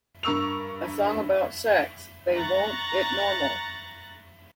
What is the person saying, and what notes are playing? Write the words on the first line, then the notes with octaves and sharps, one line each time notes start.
A song about sex - they won't it "normal".
G2 A#4 C#6 E6 F7
A#5 C#6 F#6 A6 A#6